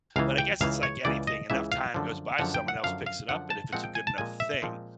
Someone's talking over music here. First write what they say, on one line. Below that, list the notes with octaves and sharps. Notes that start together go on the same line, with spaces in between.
but I guess it's like anything, enough time goes by, someone else picks it up, and if it's a good enough thing,
C#2 C#3 E3 F5
G5
C#2 C#3 E3 F5
C#5
C#2 C#3 E3 D5
D#5
C#2 C#3 E3 E5
F5
F#2 D3 F3
F#2 D3 F3 F#5
G5
F#5
F#2 D3 F3 F5
F5
F#2 D3 F3 F#5
A5
A#2 F3 G#3 C4 F#5
G5
G#5
A5
A#2 F3 G#3 C4 G#5
E5
A#2 F3 G#3 C4